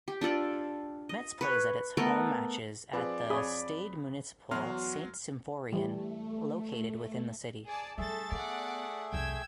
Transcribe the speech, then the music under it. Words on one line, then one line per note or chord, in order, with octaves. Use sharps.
Metz plays its home matches at the Stade Municipal Saint-Symphorien located within the city.
G4
D4 F4 A4 D5
D#5
B4 C#5
A3 B3 A4 A#4
F3 C4 G#4 B4 D5
F2 G#4 C#5 B5 D#6
E2 F#3 F#4 C6 F6
E3 G3 A3
G#4 D5 A5
G3 A3 C#4 G#4 A4 E5 A6
B3 D5 F#5
C2 F2 G5 E6 G#6